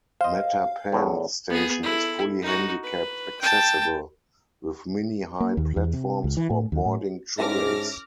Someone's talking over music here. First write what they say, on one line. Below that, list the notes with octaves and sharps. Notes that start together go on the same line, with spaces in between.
Mattapan station is fully handicapped accessible, with mini-high platforms for boarding trolleys.
C5 D#5 F5
E2 A2
B3 G#4
E4 A4
D#4 F#4
B4
G5 A5
A#3
D#2
E2
C3
C#2
E3
A2
D#2
A2
G#2 C#4 E4 G#4 A4 D6 F6 A#6